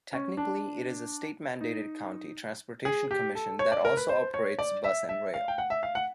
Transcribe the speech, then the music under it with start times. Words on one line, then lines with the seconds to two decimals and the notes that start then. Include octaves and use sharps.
Technically it is a state-mandated county transportation commission that also operates bus and rail.
0.13 C#4
0.37 D4
1.61 D#4
2.85 G#4
3.11 G4
3.35 A4
3.59 C#5
3.72 D5
3.85 A#4
3.97 B4
4.09 C5
4.34 C#5
4.59 D5
4.84 E5
5.09 E5
5.34 F5
5.48 G5
5.58 F#5
5.70 E5
5.83 F5
5.95 F#5